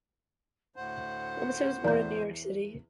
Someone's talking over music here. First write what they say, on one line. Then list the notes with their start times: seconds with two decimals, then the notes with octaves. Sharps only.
Robinson was born in New York City.
0.76 D2 A2 C5 F#5
1.85 E2 D5 G6